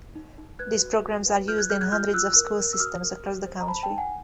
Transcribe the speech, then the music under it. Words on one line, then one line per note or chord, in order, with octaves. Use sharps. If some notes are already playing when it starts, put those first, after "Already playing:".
These programs are used in hundreds of school systems across the country.
D#4
D#4
B4 F#6 G#6
F#4
F#4
B4
F4 F6 G6
F#6 G#6
G#4 F6 G6
F#6 G#6
F4 F6 G6
F4 E6 F#6
A#4
A#4
E6
F#4 D#6 F6
A#4
G4
C5
A#5
C5 A5 B5
G5 A5
D#4
F#5 G#5